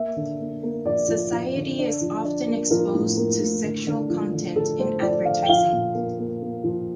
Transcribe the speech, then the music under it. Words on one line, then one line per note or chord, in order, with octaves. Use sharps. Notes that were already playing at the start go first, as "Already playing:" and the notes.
Society is often exposed to sexual content in advertising.
Already playing: A#3 E5
D3
A#3
A#3
F3 D5
F3
F3
D3
D4
F3
D4
A#3
F3 A#4
A2
A#3
A2
D3
D3
F3
D3
D3 A4
A3 C5
F3 D5
D3 F5
G5
F3 F5
A#2
A#3
A#3
A#3
F3